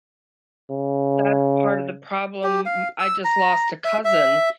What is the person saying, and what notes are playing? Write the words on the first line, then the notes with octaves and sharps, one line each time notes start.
that's part of the problem. M I just lost a cousin,
C#3
G4
F5
E6
A#5
E5
E5